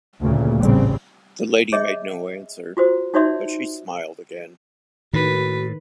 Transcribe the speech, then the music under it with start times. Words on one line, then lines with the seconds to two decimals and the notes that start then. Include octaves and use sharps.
The lady made no answer, but she smiled again.
0.20 D2 A#2 C#3
0.57 A1 C#3 G3 C4
1.72 G#4 C#5 D#5 E5
2.77 F4 F#4 C5
3.14 D#4 F#4 C#5 D5 E5 C6
5.14 A2 D#3 F#4 B4